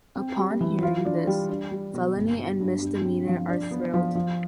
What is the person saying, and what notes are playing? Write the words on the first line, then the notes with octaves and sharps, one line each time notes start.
Upon hearing this, Felony and Miss Demeanor are thrilled.
C4
G3
E3
F4
D4
G3
D4
G3
B2
G1
D3
G2
G2
C4
F3
D4
B3
F3
F3